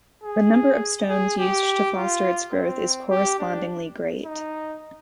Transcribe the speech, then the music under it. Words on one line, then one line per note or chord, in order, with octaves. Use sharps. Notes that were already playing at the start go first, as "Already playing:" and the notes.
The number of stones used to foster its growth is correspondingly great.
G#4
G#4
G4
F4
C4
G4
D4
D#4